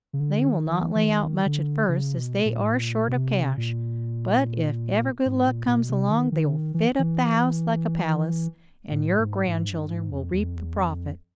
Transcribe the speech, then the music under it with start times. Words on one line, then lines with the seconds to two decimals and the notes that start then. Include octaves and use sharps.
They will not lay out much at first as they are short of cash but if ever good luck comes along they will fit up the house like a pallis and your granchildren will reep the proffit.
0.13 C#3
0.20 D3
0.48 D#3
0.76 E3
0.95 E3
1.04 D#3
1.46 D3
1.89 C#3
2.16 B2
2.45 A#2
2.60 A2
2.73 A#2
3.09 B2
3.15 C3
3.57 A#2
5.26 G#2
5.47 A#2
5.67 A#2
5.79 B2
5.89 C3
6.10 D#3
6.32 D#3
6.44 D3
6.53 D#3
6.74 E3
6.99 E3
8.91 A2
9.19 G#2
9.48 G#2
9.69 G2
9.90 G#2
10.11 F2
10.33 E2
10.44 F2
10.56 E2
10.74 F2